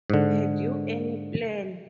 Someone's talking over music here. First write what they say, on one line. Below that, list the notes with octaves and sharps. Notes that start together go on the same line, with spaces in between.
Had you any plan?
G#2 D3